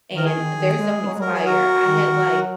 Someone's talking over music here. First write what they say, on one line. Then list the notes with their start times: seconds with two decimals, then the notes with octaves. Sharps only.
and theirs don't expire. I had, like
0.14 D#3 A#4
0.25 G#4
0.36 D#3
0.57 D#3
0.78 G#3
1.00 G#3
1.07 F#3
1.14 G#3
1.21 F#3 A#4
1.33 G#4
1.45 F#4 A#4
1.86 D#3
2.06 D#3
2.28 F#3